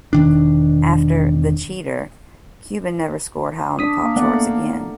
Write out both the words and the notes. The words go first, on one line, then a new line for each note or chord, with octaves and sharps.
After "The Cheater," Kuban never scored high on the pop charts again.
E1 D#3 D4
D4 D#6 B6
A#3
A3 B3 D5 F#5